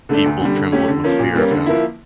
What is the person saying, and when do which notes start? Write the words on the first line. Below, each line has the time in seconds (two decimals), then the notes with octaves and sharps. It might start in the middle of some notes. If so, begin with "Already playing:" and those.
People trembled with fear of him.
0.09 D3 A3 D4
0.26 D2
0.41 D3 G3
0.56 D3
0.72 A3 C#4 G4
0.88 D3
1.04 F3 A#3 C#4
1.19 A#2
1.35 G3 A#3 C#4
1.51 D3
1.66 F3 A#3 E4